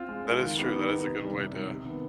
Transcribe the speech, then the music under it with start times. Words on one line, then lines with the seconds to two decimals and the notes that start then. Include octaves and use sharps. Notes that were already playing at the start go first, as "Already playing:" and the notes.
That is true. That is a good way to
Already playing: C4 F4
0.09 G#3
0.25 C4 F4
0.40 D#3
0.57 B3 D#4 G4
0.73 D#3
0.89 B3 D#4 G4
1.05 C3
1.21 D#3 G3
1.37 C3
1.53 D#3 G3
1.69 C3
1.85 D#3 B3